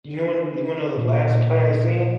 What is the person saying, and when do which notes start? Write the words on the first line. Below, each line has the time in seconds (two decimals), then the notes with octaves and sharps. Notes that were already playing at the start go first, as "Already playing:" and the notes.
you know when you wanna know the last play I seen?
0.98 A#2